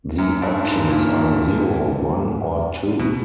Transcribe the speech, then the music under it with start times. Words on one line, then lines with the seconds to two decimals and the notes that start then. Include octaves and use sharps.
The options are zero, one, or two.
0.18 F#2
0.42 G2
0.64 G#2
0.88 A#2
2.99 B2